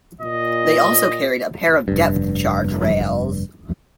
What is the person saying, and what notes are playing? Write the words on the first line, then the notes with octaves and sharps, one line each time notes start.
They also carried a pair of depth charge rails.
A#2 D#5
F1 G2